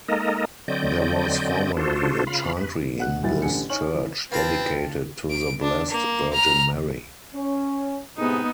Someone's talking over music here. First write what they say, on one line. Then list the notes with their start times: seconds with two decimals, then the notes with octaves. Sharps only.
There was formerly a chantry in this church, dedicated to the Blessed Virgin Mary.
0.08 G#3 A#3 D#4 A4 A#4 D#5
0.68 D3 F#3 C4 D5 D#5 G6
1.77 D4 F4 F#4 A4 C5
2.27 C#3 F4 F5 B5
2.57 B4
2.99 B2 F#5 F#6
3.23 D1 D2 B2 G3 E4 A6
3.42 A1 D3 D4 G4 G#5 C#7
3.69 D#4 C#5 G#5 C#6 F6 F#7
3.95 E3
4.32 C4 F4 B4 F5 G5 A5
5.30 D7
5.62 D4
5.90 A#3
6.33 A#5 F6
7.34 C#4
8.17 A2 C3 G#3 B3 D#4